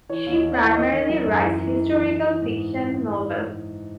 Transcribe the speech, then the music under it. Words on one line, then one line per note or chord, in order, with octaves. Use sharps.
She primarily writes historical fiction novels.
E3 C#5
D#2
D#5
D#2
F#5
E3
D#3 D#5
D#3
F#3
F#2
E3
E3
E3
E3
E3
E3
G#2